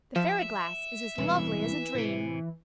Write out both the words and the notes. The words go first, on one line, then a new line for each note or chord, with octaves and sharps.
The fairy glass is as lovely as a dream.
F3 E5
E1 C2 A2 E3
A2 C3